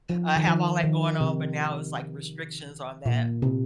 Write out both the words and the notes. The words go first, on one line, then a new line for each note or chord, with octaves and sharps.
uh, have all that going on, but now it's, like, restrictions on that.
F3
D#3
F3
D#3
C3
A#2
C3